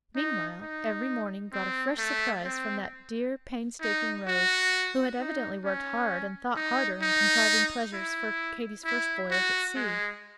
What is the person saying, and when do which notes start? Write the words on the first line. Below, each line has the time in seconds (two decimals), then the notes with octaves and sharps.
Meanwhile, every morning brought a fresh surprise from that dear, painstaking Rose, who had evidently worked hard and thought harder in contriving pleasures for Katy's first voyage at sea.
0.15 D#4
0.61 D#4
1.53 C4
1.98 A3
2.44 C4
3.81 D#4
4.27 F#4
5.19 D#4
5.64 C#4
6.56 D#4
7.02 D#4
7.93 E4
8.85 E4
9.31 F#4
9.76 G#3